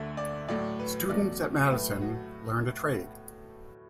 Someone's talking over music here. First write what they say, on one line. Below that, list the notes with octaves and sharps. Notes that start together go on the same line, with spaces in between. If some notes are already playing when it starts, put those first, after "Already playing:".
Students at Madison learned a trade.
Already playing: D2 D3 A3 E5
D5
A2 F#3 A3 D5
B4
E2 B2 F#3 A3 D5
A2 F#3 A3 B4
F#4